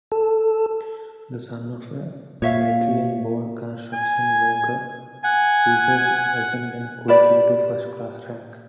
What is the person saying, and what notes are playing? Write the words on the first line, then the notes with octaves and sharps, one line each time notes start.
The son of a Latvian-born construction worker, Zesers ascended quickly to first-class ranks.
A4
A#2 C#5 E5 F5
G#5
F#5 G#5
G4 B4 D5